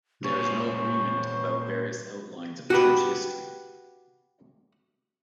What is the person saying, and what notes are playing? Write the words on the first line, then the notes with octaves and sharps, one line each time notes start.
There is no agreement about various outlines of church history.
A#2 C#4 B4 C5 C#6
F#4 G4 B4